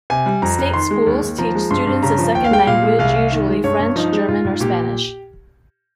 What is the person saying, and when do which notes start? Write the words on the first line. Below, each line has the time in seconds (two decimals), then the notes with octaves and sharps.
State schools teach students a second language, usually French, German or Spanish.
0.10 C3 G#5
0.26 G3
0.42 F2 A#5
0.58 F2
0.74 D#3 C6
0.91 G#3
1.06 D#2
1.22 D#2
1.38 F3 A#5
1.55 G#3
1.71 G2 C6
1.87 G2
2.03 C#3 A#5
2.18 F3
2.35 D#2 G5
2.44 F5
2.51 G#3 G5
2.67 A#2 F5
2.83 G#3
2.99 C2 F5
3.16 C2
3.32 D#3
3.48 G#3
3.64 G2 C#5
3.80 G2
3.96 F3 D#4
4.12 G#3
4.28 G#2 F4
4.45 G#2
4.60 A#2 G4